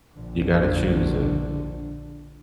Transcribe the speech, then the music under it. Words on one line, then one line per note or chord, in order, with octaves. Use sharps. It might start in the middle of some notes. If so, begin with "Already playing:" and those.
You gotta choose it.
A#1 D3